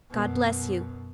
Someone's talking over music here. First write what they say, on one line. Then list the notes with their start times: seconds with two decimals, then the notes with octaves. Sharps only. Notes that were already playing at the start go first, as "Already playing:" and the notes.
God bless you.
0.10 F#2 B2